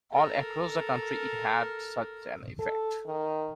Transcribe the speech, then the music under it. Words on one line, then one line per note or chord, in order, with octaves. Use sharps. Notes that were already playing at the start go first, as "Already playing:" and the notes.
All across the country, it had such an effect.
A4 A#4
A4
D#3